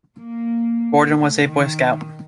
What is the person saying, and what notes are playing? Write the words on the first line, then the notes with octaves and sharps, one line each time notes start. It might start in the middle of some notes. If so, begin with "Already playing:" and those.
Gordon was a Boy Scout.
A#3
A3
D#3